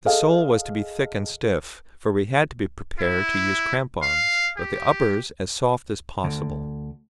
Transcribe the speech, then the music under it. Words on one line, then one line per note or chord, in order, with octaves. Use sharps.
The sole was to be thick and stiff -- for we had to be prepared to use crampons -- but the uppers as soft as possible.
G#4 A4 D#5 F5
E4
F5
G4
D2 D3